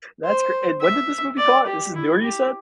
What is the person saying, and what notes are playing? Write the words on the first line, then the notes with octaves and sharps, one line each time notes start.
that's cr and when did this movie come out? This is newer you said?
C5
E5
D5
G4
E4
G4